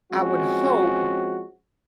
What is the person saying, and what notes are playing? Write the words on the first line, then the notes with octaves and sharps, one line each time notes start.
I would hope
F3 G#3 C4 C#4 F#4